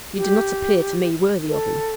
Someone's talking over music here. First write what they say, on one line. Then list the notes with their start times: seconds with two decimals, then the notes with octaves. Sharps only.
You did not appear to me worthy of him.
0.16 G4
1.48 A4